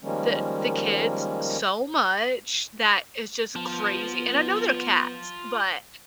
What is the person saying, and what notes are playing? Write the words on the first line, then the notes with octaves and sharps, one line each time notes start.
the the kids so much that it's just crazy- and I know they're cats but
D#3 F3 G3 G#3 A#3 C#4
B3 F4 A5